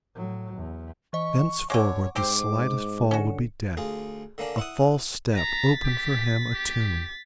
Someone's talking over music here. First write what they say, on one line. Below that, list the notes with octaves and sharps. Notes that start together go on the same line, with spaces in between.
Thenceforward the slightest fall would be death; a false step opened for him a tomb.
A2 F#3
E2
E3 D#5 C#6
D3 G#3 C#5 F#5 C#6 D6
G#2 C4 G4 C5 D6 D7
D3 C#4 F#4 C#7
D2 F4 G#4
D3 A#3 C#4 D4
E4 F#5 D#6
A#5 A6 B6
G4
G4